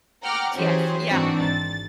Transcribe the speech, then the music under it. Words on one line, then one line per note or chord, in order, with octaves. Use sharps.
RTX, yeah.
F#5 G5 A#5 D6 F6
E3 F#3 C#4 G4 G#4 C5
G#2 E3 C4 D4 D#4 F#4
G#1 A6